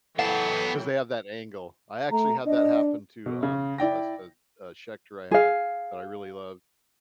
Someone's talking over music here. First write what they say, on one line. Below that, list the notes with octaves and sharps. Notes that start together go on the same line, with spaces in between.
'cause they have that angle. I actually had that happen to, um, a s a a Shechter I had, that I really love,
E3 F#3 B3 A4 F#5 G5 A5
A3 A#5
D4 D#5
B2
C#3
E4 D5 G5 A#6
G#4 F5